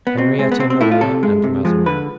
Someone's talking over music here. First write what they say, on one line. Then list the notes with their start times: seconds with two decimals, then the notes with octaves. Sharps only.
Henrietta Maria and Mazarin.
0.07 B3
0.17 B2 C4
0.39 G#3 C4
0.52 B3
0.59 B2 C4
0.70 C4
0.81 A3 E4
0.91 F4
1.01 C3 A4
1.23 G#3
1.44 C3
1.65 F3 G#3
1.86 D3 B4